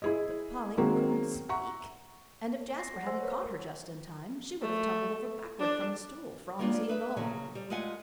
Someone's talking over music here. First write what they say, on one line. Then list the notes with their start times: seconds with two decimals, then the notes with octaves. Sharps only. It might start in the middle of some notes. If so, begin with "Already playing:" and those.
But Polly couldn't speak; and if Jasper hadn't caught her just in time, she would have tumbled over backward from the stool, Phronsie and all!
0.02 E4 G#4 D#5
0.77 D#3 F#3 G#3 A#3 C4 F#4
1.49 E5 F#5 A#5 C#6
2.76 A#6 C7
2.94 A4 F#5
3.06 C5 C6 E6
3.21 A#4 B4 C#5
3.33 A4
4.62 A3
5.60 D4
6.59 A#3 B3 C#4 D4 F4 D5
6.88 G#4 B4 E5
7.17 A#2 C#3 F#3 C#4 G#4 A4
7.55 G3
7.70 G#3 A3 F4 F#5 G#5